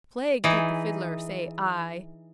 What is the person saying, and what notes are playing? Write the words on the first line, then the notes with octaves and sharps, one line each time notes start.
Plague take the Fiddler! say I.
E3 D#4 G#4